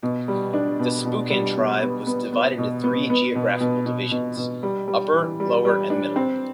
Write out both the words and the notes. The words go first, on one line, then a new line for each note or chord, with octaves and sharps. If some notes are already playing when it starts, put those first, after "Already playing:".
The Spokane tribe was divided into three geographic divisions, upper, lower, and middle.
B2
G3
D4
B2
B2
G3
B2
B3
B3
B3
B2
B3
B3
B2
B2
B2
B2
B2
G3
G3
E3
G3
G3
D4
C4